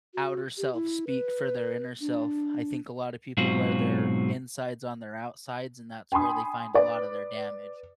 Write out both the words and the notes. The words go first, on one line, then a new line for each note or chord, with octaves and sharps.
outer self speak for their inner self, I think a lot of people wear their insides on their outsides, and that's where they find a lot of their damage.
F#4
G4
E4
B4
D4
G#2 B2 F#3 C4 F4 F#4
G5 G#5 B5 C6 D#6
B4 D5